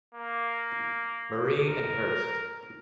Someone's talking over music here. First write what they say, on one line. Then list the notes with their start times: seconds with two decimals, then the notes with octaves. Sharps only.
Marie and Hearst.
0.14 A#3
1.67 A#4